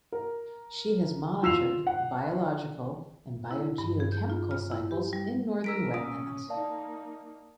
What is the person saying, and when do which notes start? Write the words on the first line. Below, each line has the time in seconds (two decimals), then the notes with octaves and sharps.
She has monitored the biological and biogeochemical cycles in Northern wetlands.
0.12 A#4
1.43 F4 E6 C7 F7
1.87 F#5
3.51 E4
3.78 G2
4.00 G#4
4.12 G6
4.30 F4
4.51 F6
4.72 E4
4.91 G4
5.13 G3
5.64 D4 A#4 E6 B6 D7
5.94 C#4 D#6 D7
6.50 A#3 D#4 D5 F5 A5